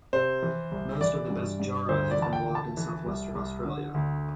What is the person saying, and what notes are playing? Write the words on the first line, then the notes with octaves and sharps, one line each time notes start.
Most of the best jarrah has been logged in southwestern Australia.
C3 C5
E3
C2
E3 D5
G2
G2
D2 C5
D5
E3 A5
G5
D2
A5
E3
C2
C2
D3
D2